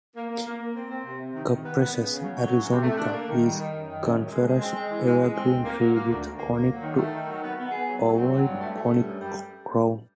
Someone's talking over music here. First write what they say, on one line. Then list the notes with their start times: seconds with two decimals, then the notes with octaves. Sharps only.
"Cupressus arizonica" is a coniferous evergreen tree with a conic to ovoid-conic crown.
0.16 A#3
0.30 A#3
0.45 A#3
0.60 A#3
0.75 C4
0.90 C4
1.05 C3
1.20 C3
1.34 D#3
1.49 D#3
1.64 B3
1.79 B3
1.94 C#3
2.09 C#3
2.23 F#3
2.38 F#3
2.53 E3
2.68 C3
2.82 A3
2.97 D4
3.12 A#3
3.27 D#3
3.41 G3
3.57 D#3
3.72 F#2
3.86 D#3
4.01 F#2
4.16 F#2
4.31 G#3
4.45 G#3
4.60 C4
4.75 G#3
4.90 E3
5.05 G#3
5.20 G#3
5.35 C4
5.50 D2
5.64 A#3
5.79 F#3
5.94 A#3
6.09 D2
6.24 D2
6.38 A#3
6.53 A#3
6.68 F#3
6.82 D#3
6.97 A3
7.12 D#3
7.27 F#3
7.42 B3
7.57 B3
7.71 G#4
7.87 F#3
8.00 F#3
8.16 C4
8.30 F#3
8.45 G2
8.60 A3
8.76 A3
8.90 G2
9.05 F#2
9.19 G3